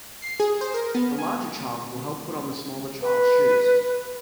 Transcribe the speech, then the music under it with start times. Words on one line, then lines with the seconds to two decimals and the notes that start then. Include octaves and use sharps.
The larger child will help put on the smaller child 's shoes.
0.22 C7
0.40 G#4
0.61 C5
0.74 A#4
0.95 B3
1.19 G#5
3.02 B4